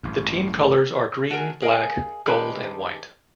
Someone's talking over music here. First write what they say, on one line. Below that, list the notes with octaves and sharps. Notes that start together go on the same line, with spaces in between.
The team colours are green, black, gold and white.
A1 G2
A3 F#4 G#4 A#4 G#5
G#4 A#4 D#5 F5 G#5
D#3 G#3 C#4 G4 A4 B4